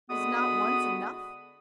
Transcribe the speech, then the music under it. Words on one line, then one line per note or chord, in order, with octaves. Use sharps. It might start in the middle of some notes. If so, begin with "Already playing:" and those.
Is not once enough?
D3 G#3 B3 F#4 B5 D#6